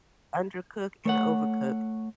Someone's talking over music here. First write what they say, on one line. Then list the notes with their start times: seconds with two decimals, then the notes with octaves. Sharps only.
undercook and overcook
1.05 A3 C#5 F#5